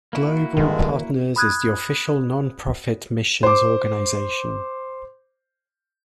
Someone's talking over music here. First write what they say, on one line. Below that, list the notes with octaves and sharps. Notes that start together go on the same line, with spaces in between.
Global Partners is the official nonprofit missions organization.
A#3 E4 F#4
G2 D3 D#3 G#3
B5 D#6 F#6 G#6
C5 D6